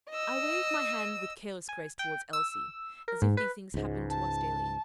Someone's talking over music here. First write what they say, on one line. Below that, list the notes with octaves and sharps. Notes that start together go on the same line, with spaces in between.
I waved my hand with careless grace towards Elsie--as if these things happened to us daily.
D#5 E6
G#5
G5
E6
A#4
G#2
B4
C#2 G#2
A5